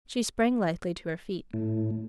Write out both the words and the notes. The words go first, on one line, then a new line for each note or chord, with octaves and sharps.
She sprang lithely to her feet.
A2